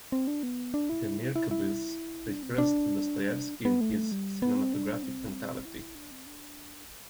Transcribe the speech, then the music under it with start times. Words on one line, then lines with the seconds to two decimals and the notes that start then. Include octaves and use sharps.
Demirkubuz, refers to Dostoevsky in his cinematographic mentality.
0.12 C4
0.27 D4
0.43 B3
0.74 D4
0.89 E4
1.36 E4
1.51 E4
2.27 D4
2.43 C4
2.58 D4
3.65 B3
3.81 A3
4.12 G3
4.42 B3
4.57 C4
4.74 D4
5.03 C4
5.65 E4
5.95 D4
6.11 C4
6.26 D4